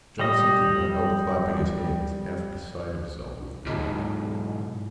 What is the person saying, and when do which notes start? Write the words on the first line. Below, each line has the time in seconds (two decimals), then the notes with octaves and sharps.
Johnson could not help clapping his hands, half beside himself with delight.
0.19 G3 D#5
3.67 B1 G#2